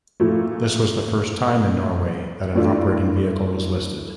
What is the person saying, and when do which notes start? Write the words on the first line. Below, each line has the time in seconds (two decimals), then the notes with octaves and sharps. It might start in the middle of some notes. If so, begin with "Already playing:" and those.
This was the first time in Norway that an operating vehicle was listed.
0.20 A#2 F3 A3 E4
2.55 A2 E3 A3 D4 F4